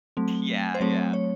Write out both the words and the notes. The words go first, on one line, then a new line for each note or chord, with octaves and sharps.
Yeah, yeah.
F#3 A3 C4
C5
F#3 A3 C4 C#5
C#5